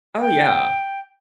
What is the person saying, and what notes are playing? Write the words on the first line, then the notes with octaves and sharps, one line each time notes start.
Oh, yeah.
G5